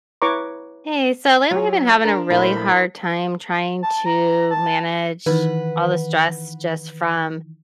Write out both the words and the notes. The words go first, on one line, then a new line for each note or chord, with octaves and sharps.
Hey, so lately, I've been having a really hard time trying to manage all the stress just from
E4 B4 C#5 A#5 C#6 D6
F#3 F4 C#5
D4 A#4
A#2 A3 E4 A#4 C5 B5
A5
A#5
A5
D#3 E3 B4 F#5